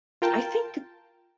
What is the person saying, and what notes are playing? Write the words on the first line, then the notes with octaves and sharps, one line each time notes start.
I think,
F4 A#4 G5 A5